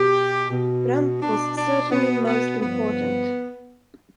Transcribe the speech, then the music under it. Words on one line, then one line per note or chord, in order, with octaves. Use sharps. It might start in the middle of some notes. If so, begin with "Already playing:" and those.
Brandt was certainly most important.
Already playing: B2 G4
B2
B2 D4
D4
B2 B3
B3
G2 F3 B3